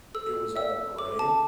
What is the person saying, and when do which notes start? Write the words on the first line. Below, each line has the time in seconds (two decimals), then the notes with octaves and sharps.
it was all gray,
0.15 A4 E6
0.56 E5 E6
0.98 A4 D6
1.19 A5